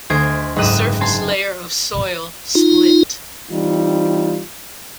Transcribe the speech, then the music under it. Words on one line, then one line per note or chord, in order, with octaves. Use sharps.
The surface layer of soil split.
D2 C5 D#5 G#5 G#6 D7
F#1 G#2 D#5 F#6 D#7 E7
G#5 A5 C6
D#4 F4
E3 G3 C4 D#4 F4